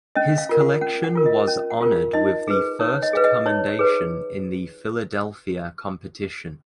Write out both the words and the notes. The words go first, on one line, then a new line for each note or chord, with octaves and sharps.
His collection was honored with the first commendation in the Philadelphia competition.
C#4 D#5
F5
F4 A#4
F#5
C#4 F#5
F#5
F4 A#4
D#5
C#4
F#5
F4 A#4
F5
D#4 D#5
G#4 B4
D#4 C#5
D#5
G#4 B4 F5
D#5
D#4 C#5
G#4 B4